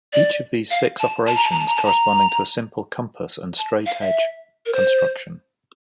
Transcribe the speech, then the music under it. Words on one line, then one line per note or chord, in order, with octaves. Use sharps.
Each of these six operations corresponding to a simple compass and straightedge construction.
D5
F5
A5
A5
A#5
A5
A#5
A5
A#5
A5
A#5
A5
F5
E5
A#4
C5